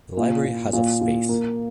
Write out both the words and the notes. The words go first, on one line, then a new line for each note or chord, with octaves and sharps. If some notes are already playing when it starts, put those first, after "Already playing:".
The library has of space.
A#2
A#2
A#2
A#2
A#3